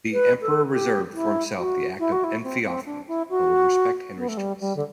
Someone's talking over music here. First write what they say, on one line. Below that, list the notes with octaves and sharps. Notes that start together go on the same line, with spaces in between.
The emperor reserved for himself the act of enfeoffment but would respect Henry's choice.
B4
A4
G4
E4
F#4
E4
F#4
E4
C4
C4
D4
E4
F#4
B3
A3
G3
G3
D3